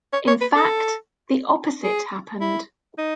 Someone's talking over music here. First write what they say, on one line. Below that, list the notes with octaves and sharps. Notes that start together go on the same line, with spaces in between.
In fact, the opposite happened.
C#5
C#5
B4
A4
G#4
E4
D#4